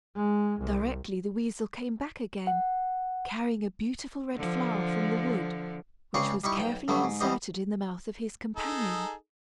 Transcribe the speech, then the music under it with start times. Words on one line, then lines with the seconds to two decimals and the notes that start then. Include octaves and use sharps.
Directly the weasel came back again, carrying a beautiful red flower from the wood, which was carefully inserted in the mouth of his companion.
0.16 G#3
0.61 C2
2.47 F#5
4.35 D3 F3
6.14 C#2 C#3 C4 G#4 D5 C#6
6.44 G3 D#4 E4 C#6
6.57 B1 G5
6.88 G2 D3 F#3 A3 B3
7.04 G#2
7.21 E3 G3 B3 C4 G4 D#5
8.56 D#4 G#4 A4